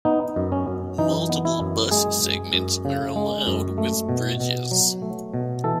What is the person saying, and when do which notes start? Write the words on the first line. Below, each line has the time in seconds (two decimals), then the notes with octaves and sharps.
Multiple bus segments are allowed with bridges.
0.05 B3 D#4
0.36 F#2
0.52 C#4
0.68 F#2
0.98 E3 D#4
1.29 B3
1.45 E4
1.60 F#2
1.91 G#3 G#4
2.23 F#2
2.54 F#2
2.85 C#3
3.16 G#3
3.47 F#2
3.78 A3
4.09 B2
4.40 B2
4.71 F#3
5.02 A3
5.34 B2
5.64 E3 A4